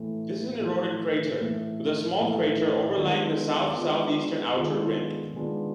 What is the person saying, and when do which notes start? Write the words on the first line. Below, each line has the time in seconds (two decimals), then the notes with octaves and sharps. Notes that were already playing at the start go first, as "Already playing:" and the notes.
This is an eroded crater with a small crater overlying the south-southeastern outer rim.
Already playing: A2 E3 A3
0.59 A2 E3 A3
1.39 A2 E3 A3
2.18 A2 E3 A3
2.98 D#3 G#3 B3 D4 F4
3.76 D#3 G#3 B3 D4 F4
4.56 D#3 G#3 B3 D4 F4
5.35 D#3 G#3 B3 D4 F4